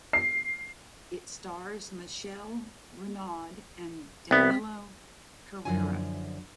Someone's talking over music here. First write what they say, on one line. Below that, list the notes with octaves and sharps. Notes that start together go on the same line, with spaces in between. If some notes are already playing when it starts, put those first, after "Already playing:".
It stars Michelle Renaud and Danilo Carrera.
C7
C2 B3 C4 B6
F#2 D3 F3 E4 G#5